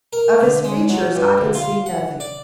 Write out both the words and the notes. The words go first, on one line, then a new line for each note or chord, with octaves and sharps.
Of his features I could see nothing.
A#4
D3
G#3
F#3
G2
D2
F4
F#5
D5